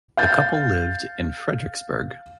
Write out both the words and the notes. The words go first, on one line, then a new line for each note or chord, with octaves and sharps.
The couple lived in Frederiksberg.
F5 G6 A6